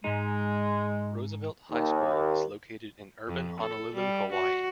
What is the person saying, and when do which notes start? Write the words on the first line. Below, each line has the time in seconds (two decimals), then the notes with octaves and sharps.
Roosevelt High School is located in urban Honolulu, Hawaii.
0.04 G#2 G#3 D#4
1.70 D#2
3.27 F2
3.61 A4
3.95 G3
4.33 F#4